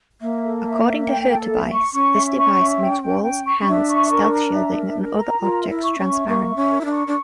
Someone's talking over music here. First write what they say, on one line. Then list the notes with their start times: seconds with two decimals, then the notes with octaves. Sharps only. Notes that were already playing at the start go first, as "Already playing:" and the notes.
According to Hurtubise, this device makes walls, hands, stealth shielding, and other objects transparent.
0.21 A#3 E5
0.43 A4
0.65 E5
0.85 E5
1.08 G5
1.29 A4
1.51 E5
1.72 C#6
1.94 C#4 C#6
2.15 E5
2.37 C#6
2.59 E5
2.81 G5
3.02 G5
3.23 G5
3.46 C#6
3.61 C#4
3.68 D4 E5
3.89 C#6
4.11 A#4
4.32 A#5
4.53 E5
4.76 A#4
4.97 A#4
5.19 A#5
5.41 F4 A#4
5.62 E5
5.69 E4
5.83 C#6
5.98 C#4
6.06 E5
6.27 A#3 C#6
6.49 E5
6.56 C#4
6.71 A#4
6.81 E4
6.85 D4
6.91 C#6
7.07 D4